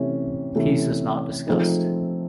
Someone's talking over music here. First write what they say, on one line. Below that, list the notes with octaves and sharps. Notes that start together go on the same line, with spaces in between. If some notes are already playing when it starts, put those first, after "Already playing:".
Peace is not discussed.
Already playing: C3 E3 A3 C#4
C3 E3 A3 C#4
F3 A3 C4 D#4 G#4